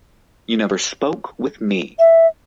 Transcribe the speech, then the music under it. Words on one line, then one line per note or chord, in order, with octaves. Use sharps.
You never spoke with me.
E5